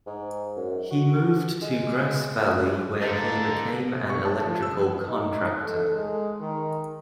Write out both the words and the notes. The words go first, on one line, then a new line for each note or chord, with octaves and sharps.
He moved to Grass Valley where he became an electrical contractor.
G#2
F#2
F#4
G#3
A#2
D3 A#3 D#4 A4 D#5 A5 G6
C#6
A5
F3
E6
D#4
A4
G#3
D#3